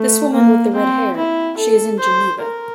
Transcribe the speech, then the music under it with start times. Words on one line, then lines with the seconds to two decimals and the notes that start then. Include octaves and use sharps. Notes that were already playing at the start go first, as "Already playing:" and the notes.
This woman with the red hair — she is in Geneva.
Already playing: A3
0.33 A#3
0.75 C4
1.17 E4
1.58 A4
2.00 C5
2.42 A#4